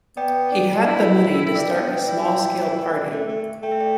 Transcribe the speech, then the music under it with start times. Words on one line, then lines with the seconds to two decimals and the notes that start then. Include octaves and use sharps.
He had the money to start a small-scale party.
0.17 B3 D5 G5
0.52 D4
0.87 E4
1.46 E4 G5
1.55 D4 B4 E5
1.73 B3
1.79 B4
1.90 D4 G5
2.02 B4 E5
2.08 E4
2.25 D5 G5
2.94 D4
3.11 A3
3.28 A3
3.63 A3 G5
3.72 E5
3.80 D5 G5